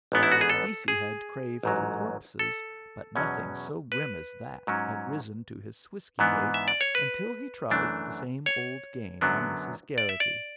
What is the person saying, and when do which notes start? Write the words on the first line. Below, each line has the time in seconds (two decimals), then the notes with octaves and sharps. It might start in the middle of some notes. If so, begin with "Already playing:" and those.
Deasey had craved for corpses, but nothing so grim as that had risen to his whisky-bait until he tried the same old game on Mrs. Geraghty.
0.12 A1 G#2 E3 B3 D4
0.23 E4
0.32 F#4
0.41 G#4
0.49 A4
0.88 G#4
1.63 A1 G#2 F#3
2.39 A4
3.15 E2 B2 F#3 C#4
3.92 B4
4.67 G#2 F#3 C#4
6.19 G#2 E3 B3 D4
6.54 E5
6.68 D5
6.81 C#5
6.95 B4
7.70 F#2 E3 A3 D4
8.46 C#5
9.21 F#2 D3 F#3 B3 D4
9.98 D5
10.09 E5
10.20 D5